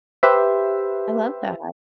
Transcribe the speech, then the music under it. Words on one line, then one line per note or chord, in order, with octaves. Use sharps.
I love that.
G4 B4 C5 E5